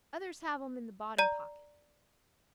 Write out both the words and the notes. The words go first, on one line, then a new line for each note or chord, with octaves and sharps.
Others have 'em in the bottom pocket.
D5 A#5